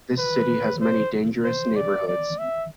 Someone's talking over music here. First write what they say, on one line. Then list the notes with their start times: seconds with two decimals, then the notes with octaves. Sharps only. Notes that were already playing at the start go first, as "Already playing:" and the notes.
This city has many dangerous neighborhoods.
0.18 B4
0.81 C5
1.44 C5
1.76 D5
2.07 D5
2.39 E5